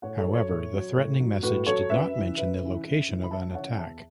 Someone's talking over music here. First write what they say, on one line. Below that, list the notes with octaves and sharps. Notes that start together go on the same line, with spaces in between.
However, the threatening message did not mention the location of an attack.
A2 C#5 F#5
A4 C#5
F#3
A4 C#5
A2
F#3
A2
F#3
A2 F#4 B4
F#3 A4 C#5
F#2 B4 E5
C#3 E3
F#2 B4 E5
C#3 E3
F#2
C#3 E3
B5
F#2 E5 A5
C#3 E3 C#5 F#5
E2 E5 A5